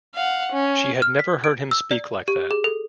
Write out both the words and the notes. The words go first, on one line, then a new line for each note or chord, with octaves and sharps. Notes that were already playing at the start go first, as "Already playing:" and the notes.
She had never heard him speak like that.
F5 F#5
C#4
F6
B6
D7
E6
D5
G4
G#4
A4